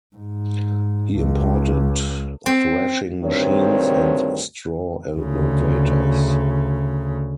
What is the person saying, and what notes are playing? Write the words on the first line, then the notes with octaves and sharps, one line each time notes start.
He imported thrashing machines and straw elevators.
G#2
C#2
C4
D2 G2 D#3 C4 C#5
D2 C#3